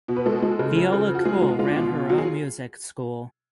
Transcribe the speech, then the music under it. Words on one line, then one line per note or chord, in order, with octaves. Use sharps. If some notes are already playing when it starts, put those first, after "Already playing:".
Viola Cole ran her own music school.
B2
B4
G#3 A4
G#3
C#3
F3
C#3
F3
F#4
G#3 G#4
F#4
G#3
F4
G#3 F4
D4
B2 F4
B2
F#3
G#4